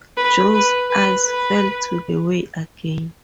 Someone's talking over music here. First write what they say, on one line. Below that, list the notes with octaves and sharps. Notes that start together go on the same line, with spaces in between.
Joe’s eyes fell to the way again.
B4
B4
B4
B4